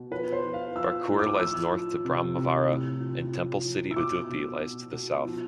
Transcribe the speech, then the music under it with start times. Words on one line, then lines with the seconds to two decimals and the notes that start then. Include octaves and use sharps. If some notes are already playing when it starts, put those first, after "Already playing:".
Barkur lies north to Brahmavara and Temple city Udupi lies to the south.
Already playing: B2
0.11 F3 B4
0.33 C5
0.43 F3
0.54 F5
0.75 F3 E6
1.08 A2
1.19 D6
1.40 F3 E6
1.72 F3
2.05 C3
2.36 C3
2.68 A2
3.00 F3
3.32 F3
3.65 F3
3.91 E6
3.96 B2 D6
4.29 B2
4.60 B2
4.92 B2
5.25 F3